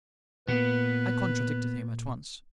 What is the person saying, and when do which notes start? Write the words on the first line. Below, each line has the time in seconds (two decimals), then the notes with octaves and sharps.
I contradicted him at once.
0.48 A#2 B3 B4